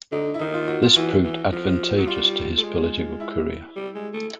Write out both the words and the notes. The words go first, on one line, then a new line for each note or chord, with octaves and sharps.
This proved advantageous to his political career.
D3 D#4
E4
D#3 D#4
F4
F#4
F4
E3 F#4
E3
F3
F#3
G3 F4
A3
G#3
E4
G3
G#3
A3